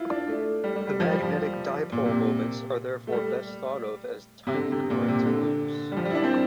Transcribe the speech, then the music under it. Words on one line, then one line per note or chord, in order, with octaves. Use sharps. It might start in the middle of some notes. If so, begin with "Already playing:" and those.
The magnetic dipole moments are therefore best thought of as tiny current loops.
Already playing: E4 F4
D4
A3
G3
G3
G3
F3
G3
F3
A#2
C3
A3
G3
C3
D3
C3
A#2
C3
D3
G3
F3
G3
E4
D4
C4